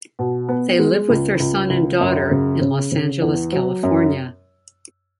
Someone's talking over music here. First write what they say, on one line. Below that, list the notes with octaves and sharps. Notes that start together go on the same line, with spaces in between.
They live with their son and daughter in Los Angeles, California.
B2
B3
G#3
C#2
C#2
C#2
F#2
C#3
C#3
C#3
E2
F#3
F#2